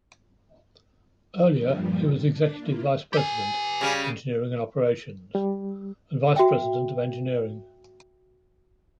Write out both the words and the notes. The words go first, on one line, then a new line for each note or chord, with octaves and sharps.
Earlier, he was Executive Vice President, Engineering and Operations; and Vice President of Engineering.
G2 A#2 F3 G3
D4
A#3 E4 F4
G4 G#5
C#3 G3
G3
F#4 E5 G5